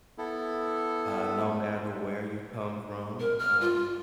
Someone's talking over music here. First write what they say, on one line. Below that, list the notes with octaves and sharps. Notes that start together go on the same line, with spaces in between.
Uh, no matter where you come from, um,
B3 E4 A4
A#4
F6
F4